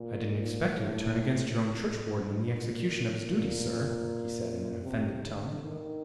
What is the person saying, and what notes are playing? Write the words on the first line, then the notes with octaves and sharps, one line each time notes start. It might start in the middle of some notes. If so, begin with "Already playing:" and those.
"I didn't expect you would turn against your own churchwarden in the execution of his duty, sir," he said in an offended tone.
Already playing: A#2
A#2
A2
A#2
A#2
C3
D3
D#3